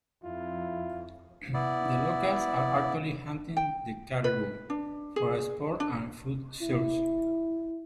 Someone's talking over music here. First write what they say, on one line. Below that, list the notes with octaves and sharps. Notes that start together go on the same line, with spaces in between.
The locals were actually hunting the caribou, for a sport and a food source.
F2 E4 F4
B3 E4 D5
G5
B4
D4
G#4
D4
E4